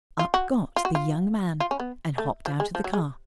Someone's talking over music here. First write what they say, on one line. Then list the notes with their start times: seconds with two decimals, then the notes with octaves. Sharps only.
Up got the young man, and hopped out of the car.
0.19 F4
0.34 F#4
0.76 F4
0.85 F#4
0.95 F4
1.60 F4
1.71 C#4
1.80 B3
2.18 A3
2.46 F3
2.60 G#3
2.75 F3
2.84 F#3
2.93 G#3